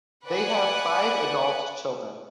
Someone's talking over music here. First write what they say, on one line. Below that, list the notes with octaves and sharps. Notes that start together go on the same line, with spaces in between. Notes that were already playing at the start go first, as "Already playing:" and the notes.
They have five adult children.
B4 D5 F#5 G#5